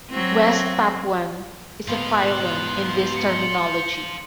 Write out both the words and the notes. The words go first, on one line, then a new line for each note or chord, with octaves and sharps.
West Papuan is a phylum in this terminology.
F#3 C4
G#2 F3 B3 F4 F5 C6
F#6
C#7